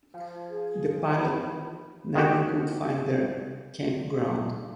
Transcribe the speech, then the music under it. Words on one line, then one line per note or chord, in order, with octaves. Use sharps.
The pilot never could find their campground.
F3
G#4
B5
D#3 G#3 F#4 G4